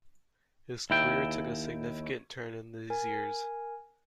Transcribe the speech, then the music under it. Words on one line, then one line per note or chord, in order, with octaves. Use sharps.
His career took a significant turn in these years.
D#2 E4 G5
A#4 G#5